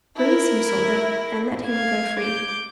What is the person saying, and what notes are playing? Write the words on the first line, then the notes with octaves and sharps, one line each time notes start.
"Release him, Soldier, and let him go free."
E4 A#4
F5 G#6
D6 G6